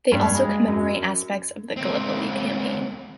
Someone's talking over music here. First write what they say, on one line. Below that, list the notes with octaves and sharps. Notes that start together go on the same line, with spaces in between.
They also commemorate aspects of the Gallipoli Campaign.
G2
G#3
F#2
C#2 C4